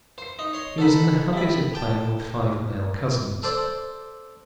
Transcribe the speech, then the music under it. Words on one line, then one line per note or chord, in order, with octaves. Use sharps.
He was in the habit of playing with five male cousins.
C5 C6 C7
D#4 D#5
C#5 C6
D#4 A4 C5 F#5 A#5 B5
C3 E5 B5 A6
G5 A5
A4 C5 D5